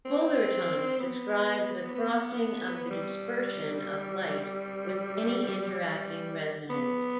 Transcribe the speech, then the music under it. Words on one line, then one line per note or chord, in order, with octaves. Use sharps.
Polaritons describe the crossing of the dispersion of light with any interacting resonance.
C4
B3
B3
G3
G3
B3